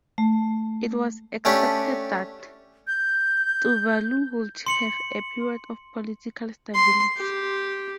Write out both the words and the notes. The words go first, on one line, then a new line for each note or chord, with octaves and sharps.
It was expected that Tuvalu would have a period of political stability.
A3
A3 C#4 D4 G4 F#5 B5
G6
C6 C#7 F#7
C6
G4